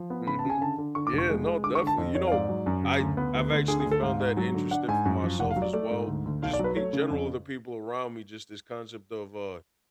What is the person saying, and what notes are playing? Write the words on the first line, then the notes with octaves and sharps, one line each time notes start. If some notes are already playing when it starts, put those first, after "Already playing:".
Mhm. Yeah, no, definitely, you know, I I've actually found that interesting for myself as well, just pe general the people around me, just this concept of, uh, I
Already playing: F3
B3
C#3 B5
A5
C#3
G#5
D3 A5
D3
D3 C#6
D6
F1
C#6
G#3
G#3
D3 D6
C#6
D3
A5
F2
F2 C#5
F5
G#2 D5
F#3
F#2
C#3
D2
B3
D2
D2
D3 G#4
G#4
D2
A4
G#2 F5
G#2
F#3
D3
D4 F#5
G#2 G#5
F#2
F3
F1 F#5
F5
F#3
D5
A3 D5
G#2
D2
D2
B1 F5
D5
F#3 B4
A3 C#5
C#3
F2